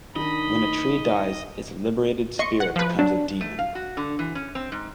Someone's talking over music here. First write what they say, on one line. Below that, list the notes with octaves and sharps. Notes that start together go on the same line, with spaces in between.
When a tree dies, its liberated spirit becomes a demon.
D#3 D4 D#4 D#5 B5
D#5 C6 C#6 C#7
F#5
F3 B4
F#3 D4
A3
F5
F#4
D3
E3
C#4
C4
G#2